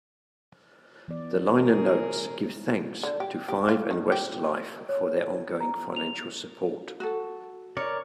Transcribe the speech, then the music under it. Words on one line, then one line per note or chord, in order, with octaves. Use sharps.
The liner notes give 'thanks' to Five and Westlife "for their ongoing financial support".
E3 B3 D5
G#4 A#4
D3
G4
G4
F4
D#3
G4
C#5
A#5
F7
F#4 A4
A#4 C#5 D5